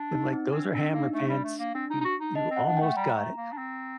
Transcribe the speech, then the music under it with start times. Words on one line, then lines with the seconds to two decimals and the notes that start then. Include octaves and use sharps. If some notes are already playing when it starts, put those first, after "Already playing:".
and, like, those are Hammer pants. You you almost got it.
Already playing: D4
0.12 D#4
0.33 C4
0.52 C4 D4
0.73 C4 D4
0.93 A#3 D#4
1.13 A3 D4
1.29 G3
1.44 A3
1.59 A#3
1.75 C4 D4
1.90 D#4
2.01 D#4
2.05 F#4
2.21 D#4
2.35 D4 D#5
2.51 C4
2.56 F#5
2.67 D4
2.77 A3 G5
2.97 G3 A#5
3.17 A3
3.37 A#3
3.52 D4
3.58 C4